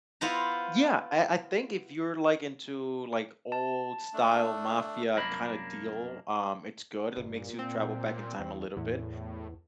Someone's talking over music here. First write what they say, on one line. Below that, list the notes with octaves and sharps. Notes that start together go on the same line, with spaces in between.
Yeah, I I think if you're, like, into, like, old-style mafia kinda deal, um, it's good, it makes you travel back in time a little bit,
B3 E4 F4 C5 A#5
A5
A3 D4
C2 F#2 F#3 A#3 D4 B5
G1 A#2
C4
E2
E2 A2